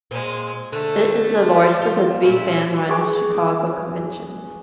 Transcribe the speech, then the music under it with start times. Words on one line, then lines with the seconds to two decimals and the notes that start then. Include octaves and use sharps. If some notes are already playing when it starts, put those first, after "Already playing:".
It is the largest of the three fan-run Chicago conventions.
0.11 A#2 G#3 C4 G#5
0.72 D3 A3
1.81 F4
2.23 A#2 C#4 E4
2.89 G#4 B4 C#6 D6